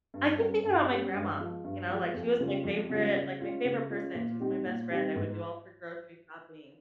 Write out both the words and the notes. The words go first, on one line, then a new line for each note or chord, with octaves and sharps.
I keep thinking about my grandma, you know, like, she was my favorite, like, my favorite person, she was my best friend, I would do all of her grocery shopping,
G2
G3 C#4 G4
G2
G3 C#4 G4
G2
F3 G#3
G2
F3 G#3
F2
C#3 G3 C#4 F4
F2
C#3 G3 C#4 F4
C#3
G#3 C#4 F4
C#3
G#3 C#4 F4
A#2
G3 C4 D#4 G4
A#2
G3 C4 D#4 G4
G#2